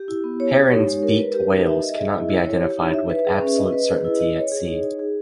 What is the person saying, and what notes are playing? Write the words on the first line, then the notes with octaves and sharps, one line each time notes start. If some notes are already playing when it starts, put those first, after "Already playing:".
Perrin's beaked whales cannot be identified with absolute certainty at sea.
Already playing: G4
E4
B3
C#5
G4
D#4
G#3
A#4
B4
G4
D#4
E5
D#5
G#4
E4
E4
C#5
G4
D#4
E5
B4
G#4
C#4
D#5
B4
G#4
E4
D#5
C#5
G#4
D#4
D#4
G#4